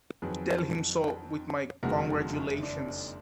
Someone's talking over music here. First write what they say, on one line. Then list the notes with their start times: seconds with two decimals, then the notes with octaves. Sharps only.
Tell him so, with my congratulations.
0.22 F2 D#3 F#3 G#4 B4
1.83 F#1 F2 D#3 G#3 F#4 A#4
2.63 D4